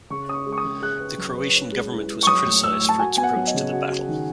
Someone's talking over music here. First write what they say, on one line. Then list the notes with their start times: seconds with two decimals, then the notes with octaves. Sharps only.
The Croatian government was criticised for its approach to the battle.
0.10 C#3 C#6
0.28 C#4 D#6
0.34 C#6
0.46 G#3
0.52 C#6
0.58 D#6
0.65 C#3
0.82 G#4 F#6
1.00 B4
1.18 F#3
1.37 B4
1.54 C#4
1.72 G#3
1.91 E4
2.08 G#3
2.23 C#6
2.26 F#3 D#6
2.46 A2
2.63 A2 E6
2.81 A2
2.89 A5
2.99 F#4 G#5
3.17 B3 G#5
3.23 F#5
3.36 F#3
3.47 D#5
3.54 C#3
3.72 F#4
3.90 F#4
4.08 D#3